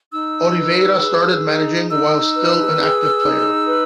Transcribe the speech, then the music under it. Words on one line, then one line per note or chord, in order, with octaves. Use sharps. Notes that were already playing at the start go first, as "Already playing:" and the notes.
Oliveira started managing while still an active player.
D#4 E6
B4
G#4
D#4
D#4 E6
B4
G#4
D#4
B4